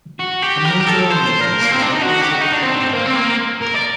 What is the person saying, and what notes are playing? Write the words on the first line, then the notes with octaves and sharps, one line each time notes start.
A major army base is located nearby.
F#4
G4
A#4
G4
A4
C5
A#4
A#3
C4
D4
D#4
F#4
G4
F#4
D#4
D4
C4
A#3
C4
A#3
A#4
D5